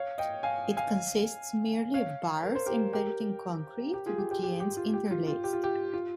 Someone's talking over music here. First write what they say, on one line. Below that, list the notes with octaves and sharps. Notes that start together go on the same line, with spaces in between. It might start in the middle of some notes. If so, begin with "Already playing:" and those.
It consists merely of bars embedded in concrete, with the ends interlaced.
Already playing: C#5 F5
D#5 G5
F5 G#5
F5 G#5
C#5 F5
A#4
C5
G4 A#4
G4 A#4
G4
F4 G#4
G4
G4
G4
G4
F4
G4
F4
F4
G4
F4
G4
F4